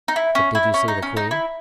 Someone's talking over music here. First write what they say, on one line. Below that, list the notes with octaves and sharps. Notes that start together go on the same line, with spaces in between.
"But did you see the queen?"
D#4
E4
C#4
E4
C#4
D#4
C#4
D#4
E4